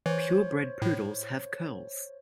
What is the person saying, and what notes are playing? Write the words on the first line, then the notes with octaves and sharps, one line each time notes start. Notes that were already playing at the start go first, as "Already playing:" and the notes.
Pure bred poodles have curls.
E3 C5 C#5
A2